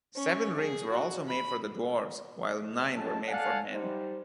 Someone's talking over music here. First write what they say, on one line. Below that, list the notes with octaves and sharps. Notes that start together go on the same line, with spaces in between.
Seven Rings were also made for the Dwarves, while Nine were made for Men.
C#4
G#4
F#4
B5
F3 F#3 G#3 C#4 C#5 A5
A4 D5 F5 F#5 G#5 A5
G3 D#4 C5